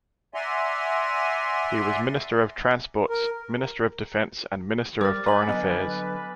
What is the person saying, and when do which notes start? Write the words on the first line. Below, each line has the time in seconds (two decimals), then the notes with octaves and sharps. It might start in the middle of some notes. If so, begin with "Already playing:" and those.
He was Minister of Transports, Minister of Defense and Minister of Foreign Affairs.
0.34 D5 E5 F#5 G#5 A#5 C6
3.10 A#4
5.01 G3 A#4 C5 D6 F6 A6
5.26 B4 G#5 A#5 F#7
5.49 D3 F#3 B3 D#5